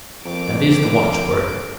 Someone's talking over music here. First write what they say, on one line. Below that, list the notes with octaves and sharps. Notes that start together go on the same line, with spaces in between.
That is the watch-word.
F2 A#3 D6 D7